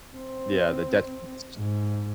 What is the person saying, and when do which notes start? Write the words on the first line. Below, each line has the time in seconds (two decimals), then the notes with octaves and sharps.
Yeah, the detriments
0.17 C4
1.58 G#2